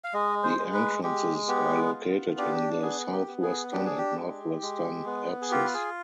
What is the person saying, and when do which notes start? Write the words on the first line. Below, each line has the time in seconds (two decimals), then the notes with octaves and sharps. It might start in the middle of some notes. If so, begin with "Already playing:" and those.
The entrances are located in the southwestern and northwestern apses.
0.04 F5
0.14 G#3 D#5
0.43 C5
0.58 G#3
0.73 B4
1.03 G#3 G4
1.48 B3 G4
1.93 F4
2.38 D4 G4
2.82 B3 G#4
3.12 G4
3.27 B3
3.42 G#4
3.72 D4 G4
3.85 G#4
3.98 G4
4.17 G#3
4.62 G#3
5.06 B3
5.42 G#4
5.51 F4 G4
5.64 B4
5.74 G#4